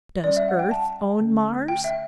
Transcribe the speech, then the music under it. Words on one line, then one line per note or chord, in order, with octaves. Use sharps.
"Does Earth own Mars?"
G3 C#4 D5
E5
F#5
G5
A5
D3 A3 C#4
G5
E5